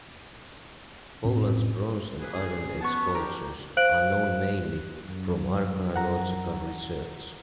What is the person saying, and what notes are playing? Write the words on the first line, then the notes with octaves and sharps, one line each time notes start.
Poland's Bronze- and Iron-Age cultures are known mainly from archeological research.
F1 A2 C4 C#4
A#3 G#4 B4
C#4 G#4
B3 A5 C#6
D4 G4 A#4
C5 F5 F#6 D7 F#7
F#2
F#5 A#5